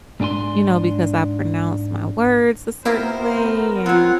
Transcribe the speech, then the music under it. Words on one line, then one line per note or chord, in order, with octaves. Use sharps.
you know, because I pronounce my words a certain way and
G#2 D4 A4 G#5 C6
B3 E4 F4 G4 A#4 C5
C4 F4 C#5 F#5